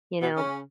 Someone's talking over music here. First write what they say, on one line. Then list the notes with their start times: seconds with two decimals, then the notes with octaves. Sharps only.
you know,
0.22 B2 B3
0.36 C#3 C#4